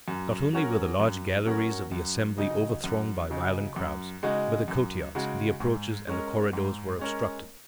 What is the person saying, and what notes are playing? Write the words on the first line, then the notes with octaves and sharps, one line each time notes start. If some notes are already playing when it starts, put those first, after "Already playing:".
Not only were the large galleries of the Assembly overthronged by violent crowds, but the courtyards, the approaches, and the corridors were obstructed.
F#2
F#3 C#4 F#4 A#4
F#2
F#3 C#4 F#4 A#4
F#2
C#3 F#3 D#4
F#2
C#3 F#3 D#4
F#2
C#3 G#3 D#4 F#4
F#2
C#3 G#3 D#4 F#4
G#2
G#3 C#4 A#4
G#2
G#3 C#4 A#4